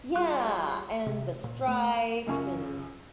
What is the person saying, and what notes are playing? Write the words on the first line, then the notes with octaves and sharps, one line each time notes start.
Yeah. And The Stripes and
G3 F4 G4 G#4 F#5 C6 C#6 F#6
C3
A#2
A3
C#2 F#2 F4 A#4 G#5 C#6